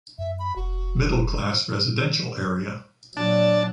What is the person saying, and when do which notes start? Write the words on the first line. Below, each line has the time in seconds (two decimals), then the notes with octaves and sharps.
Middle class residential area.
0.19 F#2 E5
0.39 B5
0.56 F1 F#4
3.17 A#2 F#3 D4 D5 A5